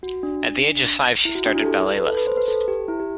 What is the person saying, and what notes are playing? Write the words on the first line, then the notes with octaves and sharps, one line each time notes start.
At the age of five she started ballet lessons.
F#4
D4
E4
F#4
D4
E4
A4
G4
B4
A4
B4
C5
B4
A4
G4
E4
G4